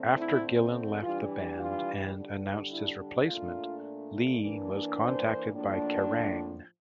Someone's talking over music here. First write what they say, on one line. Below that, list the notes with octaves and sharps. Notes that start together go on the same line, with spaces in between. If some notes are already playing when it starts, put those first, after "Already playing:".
After Gillen left the band and announced his replacement, Lee was contacted by Kerrang!
Already playing: D3 A3 C4
E4
E3 G3 D4 F4
F4
D3 G3 D4
E4
A#2 A3 D4 F4
E3 A#3 D4
C5
A2 F3 A#3 D4